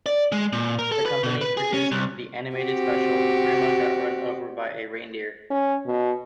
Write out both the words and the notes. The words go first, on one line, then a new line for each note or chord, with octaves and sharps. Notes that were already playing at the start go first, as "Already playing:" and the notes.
The company produced the animated special "Grandma Got Run Over by a Reindeer".
D5
G#3
A#2
A#4
A4
B4
B2
B4
G#4
C#4
C2
C4 F#4 G4
C#4
B2